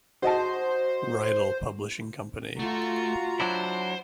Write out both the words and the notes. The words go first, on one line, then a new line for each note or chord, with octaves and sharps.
Reidel Publishing Company.
F#4 C5 D#5 A5
A3 F4 F#4 A#5
F#3 D4 E4 C5